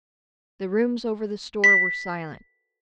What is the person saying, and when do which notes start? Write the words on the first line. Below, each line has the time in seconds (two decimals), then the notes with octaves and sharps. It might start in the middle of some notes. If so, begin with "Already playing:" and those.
The rooms over the store were silent.
1.64 B6